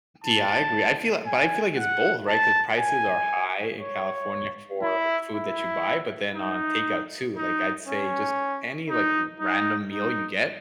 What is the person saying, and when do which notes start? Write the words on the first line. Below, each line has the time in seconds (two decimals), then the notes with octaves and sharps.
De I yeah, I agree, I feel a but, I feel like it's both, right, 'cause prices are high in California for food that you buy, but then on takeout too, like, I'd say just any, like, r random meal you get,
0.24 A5
1.26 G#5
1.77 F#5
2.28 A5
2.79 G#5
3.80 C#5
4.82 E4
5.33 E4
6.34 D#4
7.37 D#4
7.88 C#4
8.89 D#4
9.40 D#4
9.91 D#4